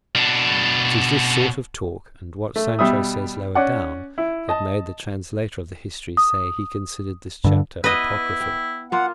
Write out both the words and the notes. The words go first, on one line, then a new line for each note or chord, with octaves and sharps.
It is this sort of talk, and what Sancho says lower down, that made the translator of the history say he considered this chapter apocryphal.
B2 D4
A3
B2 G3 E5 D#6
C#4 D5 F#5
E4
D#5 A5
D#6
G2 D3
B3 E4 B4 D#5
G5
A#3 F4 F#5